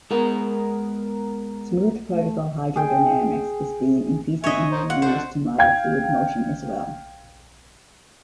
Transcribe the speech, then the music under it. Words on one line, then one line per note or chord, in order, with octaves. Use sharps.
Smoothed-particle hydrodynamics is being increasingly used to model fluid motion as well.
G#3 B3 G#4 A#4 A#5
A3
G#4 G5
C#5 D#5 E5 G#5
D#4 C5
F4 F#5
D3 F3 C5 F#5
F5 G5 G#6